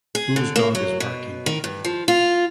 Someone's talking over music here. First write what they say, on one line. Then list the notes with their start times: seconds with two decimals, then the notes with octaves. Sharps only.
Whose dog is barking?
0.15 G#4
0.36 D3
0.56 A#3
0.75 F#3
1.00 B2
1.46 D#3
1.64 G2
1.85 F3
2.08 F4